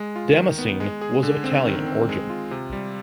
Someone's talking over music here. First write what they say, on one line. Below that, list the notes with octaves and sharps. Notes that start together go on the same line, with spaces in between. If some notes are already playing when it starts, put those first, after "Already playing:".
Damascene was of Italian origin.
Already playing: G#3
F4
D#3
B3
G#3
G#4
D3
C4
D#3
C4
G#3
F4
C3
G3